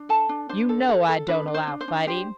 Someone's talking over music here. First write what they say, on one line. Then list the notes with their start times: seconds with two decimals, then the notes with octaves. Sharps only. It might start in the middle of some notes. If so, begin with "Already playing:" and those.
"You know I don't allow fighting."
Already playing: D4
0.09 A4 A5
0.29 D4
0.49 D4 C5
0.69 A4
0.89 A4
1.09 A4
1.28 D4 B4
1.47 D4
1.54 C5
1.67 D4
1.81 C5
1.88 D4
2.07 G4 C5